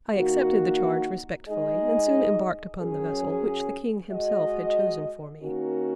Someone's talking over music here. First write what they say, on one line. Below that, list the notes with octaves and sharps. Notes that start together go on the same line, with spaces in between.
I accepted the charge respectfully, and soon embarked upon the vessel which the king himself had chosen for me.
D#3 A#3 F#4
G#3 D#4 G#4 D#5
F#2 F#3 C#4 G#4
G#3 F#4 D#5
D#3 A#3 C#4 F#4 A#4